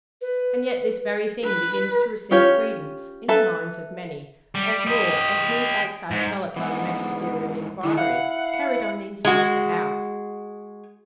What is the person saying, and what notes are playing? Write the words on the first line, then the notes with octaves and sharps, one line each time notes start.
And yet this very thing begins to receive credence in the minds of many--of more, as new facts are developed by the magisterial enquiry, carried on inside the house.
B4
B4
C#4 F4 G4 C#5
A4 B4 E5 A5
G3
G4 D#5
G#2
G#2 E3 B3
D3 D#3 E4
E4 F5 F#5
G#3 F#4